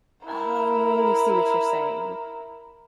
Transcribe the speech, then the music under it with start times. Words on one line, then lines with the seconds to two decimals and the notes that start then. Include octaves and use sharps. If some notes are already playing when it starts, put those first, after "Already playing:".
Oh, I see what you're saying.
0.25 E4 A#4